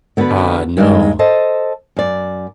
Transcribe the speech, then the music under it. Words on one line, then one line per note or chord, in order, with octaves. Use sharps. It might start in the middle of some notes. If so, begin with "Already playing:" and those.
Ah, no.
D3 B3 F#4 A4 B4
G2 D#3 G#3
A4 C5 D#5 A5
F#2 D5